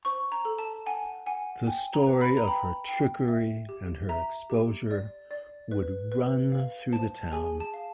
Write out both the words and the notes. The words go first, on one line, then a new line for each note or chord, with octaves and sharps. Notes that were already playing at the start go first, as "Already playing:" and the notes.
The story of her trickery and her exposure would run through the town.
C5 C#6
A#5
A4
A5
F#5 G#5
F#5 G#5
G5 G#5
A#5
B4
B5
A#5
G5 B5
G5
E5
G4
E5 A#5
G4
D5
D5
B4
B4
F5
C5 A5
G#4 G#5
A5
F5